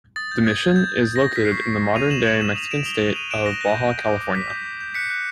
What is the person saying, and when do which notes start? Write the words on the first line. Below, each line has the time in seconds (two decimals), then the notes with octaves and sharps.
The mission is located in the modern-day Mexican state of Baja California.
0.16 D#6 A6
0.31 G6
0.46 D#6 G#6
0.61 G6
0.76 G6
0.92 G6
1.06 G6
1.16 A#6
1.22 G6
1.36 F6 B6
1.45 C7
1.52 C#6 B6
1.66 C#6
1.82 F6
1.96 C#6 D#7 F7
2.10 C#6 E7 F#7
2.25 C#6 E7 F#7
2.41 F6 E7 F#7
2.55 D#6 D#7 F7
2.71 D#6 D7 E7
2.86 D#6 F7 G7
3.01 F#6
3.15 D#6 D#7 F7
3.30 F#6 D7 E7
3.46 D#6 A#6
3.61 F#6 A#6
3.75 G6
3.90 G6
4.05 D6
4.20 D6
4.35 D6 B6
4.50 G6
4.65 D6
4.81 G6
4.94 F#6 B6 C#7
5.10 F#6